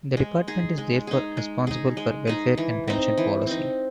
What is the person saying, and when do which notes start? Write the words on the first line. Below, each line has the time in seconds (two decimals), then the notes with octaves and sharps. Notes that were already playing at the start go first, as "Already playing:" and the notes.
The Department is therefore responsible for welfare and pension policy.
0.17 G#3
0.47 D#4 G#4
0.78 G#3
1.07 D#4 G#4
1.37 G#3
1.67 D#4 G#4
1.97 G#3
2.27 D#4 G#4
2.58 E3
2.88 C4 D#4
3.18 E3
3.47 C4 D#4